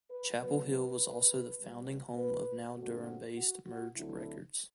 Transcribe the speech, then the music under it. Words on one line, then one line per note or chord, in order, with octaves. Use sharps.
Chapel Hill was also the founding home of now Durham-based Merge Records.
B4
B2 F#3 B3 B4
B4
B2 G3 B3
B4
G2 D3 A3 C4 F#4
F#4
F#4
D2 D3 F#3 A3 C4 E4